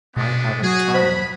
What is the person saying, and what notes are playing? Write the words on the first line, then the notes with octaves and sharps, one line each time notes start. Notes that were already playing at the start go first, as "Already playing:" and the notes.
I haven't time.
B2 G#3 B3 D4
F#3 F#4 G#4
C5 B5